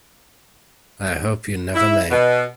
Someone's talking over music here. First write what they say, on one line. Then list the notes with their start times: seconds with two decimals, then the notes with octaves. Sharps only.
I hope you never may.
1.74 E4
2.09 B2